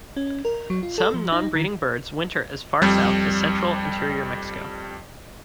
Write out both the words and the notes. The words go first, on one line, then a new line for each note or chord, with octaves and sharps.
Some non-breeding birds winter as far south as central interior Mexico.
C#4
A#4
F#3
F4
A4
F3
D#4
D#3
F2 G3